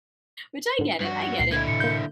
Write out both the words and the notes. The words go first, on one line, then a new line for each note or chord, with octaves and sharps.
Which I get it, I get it.
G#2 D3
G2 F#4
C#2 A#2 A#3 C7
D3 E4 G#6
A2 C3 C#7
A#3 G6